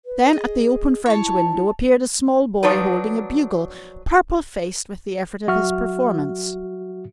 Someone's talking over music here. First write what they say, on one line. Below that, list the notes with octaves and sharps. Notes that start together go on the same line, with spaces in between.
Then at the open French window appeared a small boy holding a bugle, purple-faced with the effort of his performance.
B4
G#4 D#5
E4 C#5 A5
F3 F#3 D4 D#4 B4
F#3 F#4 E5 F6